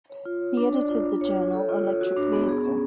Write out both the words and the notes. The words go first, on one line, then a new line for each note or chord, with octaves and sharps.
He edited the journal "Electric Vehicle".
C#5
F4
C#5
D4
D5
F4
D4
C#5
C#5
A4
F4
C#5
F#4
D4
B3
G#4
C#4